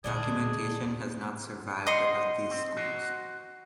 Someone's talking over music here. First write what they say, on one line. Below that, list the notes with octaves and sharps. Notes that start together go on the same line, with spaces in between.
Documentation has not survived about these schools.
D#2 A#2 D3 G#3 D4 G#4
C5 D#5 F#5 C6
C4
F#4 C5